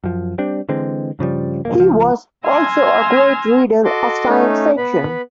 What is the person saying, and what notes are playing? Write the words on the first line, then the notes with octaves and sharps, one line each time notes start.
He was also a great reader of science fiction.
F#2 F3
G3 C4 D4
D3 E3 G#3 C4
G2 C#3 F3 G3
D#1 A#3
C#2 F3
G#5 C6 E6 F6 G#6 A#6
F#4 A4 D#5 C6 D6
A3 C#4 D#4
B3 B4 B5